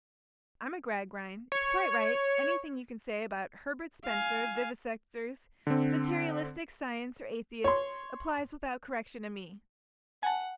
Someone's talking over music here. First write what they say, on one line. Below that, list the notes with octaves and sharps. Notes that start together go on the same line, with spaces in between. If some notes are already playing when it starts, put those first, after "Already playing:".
I'm a Gradgrind--it's quite right--anything you can say about Herbert Spencer, vivisectors, materialistic Science or Atheists, applies without correction to me.
C#5
F5 G#5
D3 C4
C#5 C6
F#5 G#5 A5